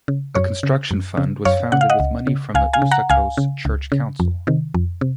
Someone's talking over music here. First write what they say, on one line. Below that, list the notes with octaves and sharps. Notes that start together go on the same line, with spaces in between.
A construction fund was founded with money from the Usakos church council.
C#3
F#2 C#5
C#3
F#2
C#3
F#2 C#5 F5
C#3 F#5
F5
D#5 F#5
C#2
C#3
C#2 F5 G#5
F5 G#5
C#3
F#5 A#5
C#2 F5 G#5
C#3
C#2
C#3
F2
C3 D#3
F2
C3